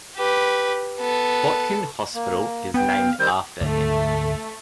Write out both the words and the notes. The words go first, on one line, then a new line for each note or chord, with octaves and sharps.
Botkin Hospital is named after him.
G4 B4
B3 A4
A#3
B3 G5
F5
D#3 G3 C4 G6
D2 G#2 D3 A3